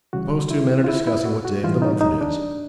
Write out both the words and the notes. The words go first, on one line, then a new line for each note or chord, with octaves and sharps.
Suppose two men are discussing what day of the month it is.
C#2 C#3 E3 G3 F#4
E4
F4
E4
E4
F#4
F#4
A2 E3 G3 F4
D#4
D#4
D4